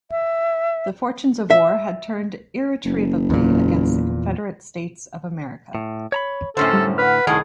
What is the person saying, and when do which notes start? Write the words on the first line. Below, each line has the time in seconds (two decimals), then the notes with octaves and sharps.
The fortunes of war had turned irretrievably against the Confederate States of America.
0.11 E5
1.51 E5
2.85 F#1
3.30 E2 A#2
5.75 A2
6.12 C#5 A#5 B5
6.57 F#2 A2 D3 C#4 A4 C5
6.73 G3
6.98 B4 F#5 F6
7.27 C2 A2 D#3 G#4